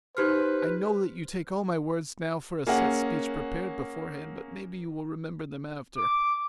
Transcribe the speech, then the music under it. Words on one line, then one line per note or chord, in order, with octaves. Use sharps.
I know that you take all my words now for a set speech prepared beforehand, but maybe you will remember them after.
D#4 G4 B4 C5 F6
A#3 C#4 G#4 E5 F#5
D6